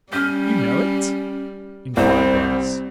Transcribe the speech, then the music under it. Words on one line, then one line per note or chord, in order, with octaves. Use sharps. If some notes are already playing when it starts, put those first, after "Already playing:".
"You know it?" inquired Bryce.
G3 C#4 F6 G6
C2 G3 C4 C5